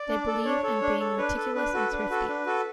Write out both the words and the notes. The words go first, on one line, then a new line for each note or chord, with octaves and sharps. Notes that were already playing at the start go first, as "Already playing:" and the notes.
They believe in being meticulous and thrifty.
Already playing: D5
D4
A4
D4 C#5
A4
D4
A4
D4 B4
A4
D4 B4
F#4 A4
D4
F#4 A4
D4
F#4 A4